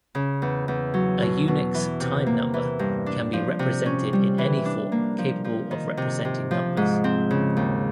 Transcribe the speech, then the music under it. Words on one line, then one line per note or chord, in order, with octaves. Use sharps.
A Unix time number can be represented in any form capable of representing numbers.
C#3
E2
E2
F#3
B2
B2
E3
C3
A#3
E3
G2
D4
F3
C3
C#4
G3
E3
D4
A#3
F3
F3
D#3
C3
C3
F3
G#2
C4
C#3
D#2